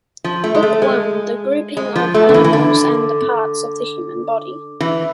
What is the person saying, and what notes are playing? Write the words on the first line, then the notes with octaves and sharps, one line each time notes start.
Book One The grouping of animals and the parts of the human body.
F3
A3
G#3
A3
G#3
G#3
F3
A3
D3
E3
E3
D3
E3